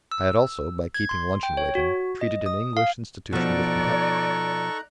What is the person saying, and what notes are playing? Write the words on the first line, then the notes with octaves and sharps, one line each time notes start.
I had also, by keeping luncheon waiting, treated an English institution with contempt.
E6
G#6
C6
G5
C#5
F#4
D#5
D#6
F5
B2 F3 D#4 A4 D5 A#5 C#6 F#6